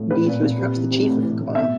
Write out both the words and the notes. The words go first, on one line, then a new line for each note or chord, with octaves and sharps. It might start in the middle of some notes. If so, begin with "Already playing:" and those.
Indeed, he was perhaps the chief of the cabal.
Already playing: A2
A#2 B4
A#2
A#2
C3
E3
C3
A2
E3
A2
B2 E5